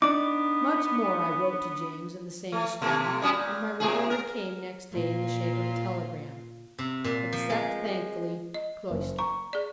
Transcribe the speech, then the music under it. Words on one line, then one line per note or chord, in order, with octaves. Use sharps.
Much more I wrote to James in the same strain; and my reward came next day in the shape of a telegram: "Accept thankfully.--Cloyster."
B3 D4 D#4 D6
A3
B2 A3 A#3
G3 C#4 F#4
A#2
A2 C3 G#4
A#4
A#2 F4
C3
A#2
F3
G#3
D#5
F#1
A#5 C#6
G#4 D5